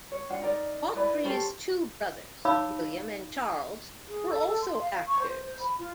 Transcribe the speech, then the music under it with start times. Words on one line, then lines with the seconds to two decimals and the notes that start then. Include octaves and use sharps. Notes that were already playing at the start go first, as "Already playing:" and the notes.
Hawtrey's two brothers, William and Charles, were also actors.
0.12 C#5
0.30 D4 F4 F#5
0.42 D#4 A#4 D5
0.94 E4 B4 D5 B5
1.24 C#4 G4 A4 C5
2.45 D#4 C#5 F5 B5 D6 E6
4.09 G#4
4.29 A4
4.47 A4
4.62 C6
4.79 F5
4.92 F5
5.06 C#6
5.20 C5
5.45 C5
5.59 B5
5.79 F4